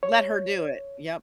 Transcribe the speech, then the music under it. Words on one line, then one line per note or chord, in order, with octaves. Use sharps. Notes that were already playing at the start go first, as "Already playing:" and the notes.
Let her do it, yep.
C#5